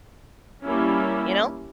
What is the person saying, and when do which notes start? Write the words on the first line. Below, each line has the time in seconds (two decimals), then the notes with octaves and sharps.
You know?
0.63 G3 A#3 C#4 E4